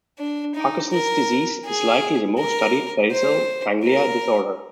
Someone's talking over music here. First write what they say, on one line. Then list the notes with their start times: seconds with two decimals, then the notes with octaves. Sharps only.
Parkinson's Disease is likely the most studied basal ganglia disorder.
0.19 D4
0.55 D#4
0.92 A#4
1.65 G#4
2.38 A#4
3.12 C5
3.84 A#4